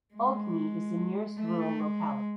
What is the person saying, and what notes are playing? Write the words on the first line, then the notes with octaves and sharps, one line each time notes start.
Ogni is the nearest rural locality.
G#3
A3
G#3